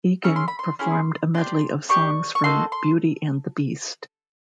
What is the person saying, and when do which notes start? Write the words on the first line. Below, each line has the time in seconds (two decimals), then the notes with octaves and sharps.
Egan performed a medley of songs from "Beauty and the Beast".
0.24 C#4 E4 G#4 C#6
0.36 C6
0.48 B5
0.59 C6
0.79 C#4 E4 G#4 C6
1.34 D4 G4 C6
1.89 D4 G4 C#6
2.35 C#6
2.44 A#3 D#4 F#4 A4 C6
2.72 C6